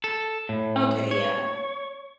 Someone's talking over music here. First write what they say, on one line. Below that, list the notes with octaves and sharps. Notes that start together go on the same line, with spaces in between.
Okay, yeah.
A4
A2
C#5